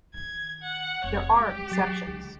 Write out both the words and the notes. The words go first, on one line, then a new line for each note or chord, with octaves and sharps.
There are exceptions.
D#3 G#6
F#5
F1 C#5
G#3 G4
F#3 A6 C7
C#2 D3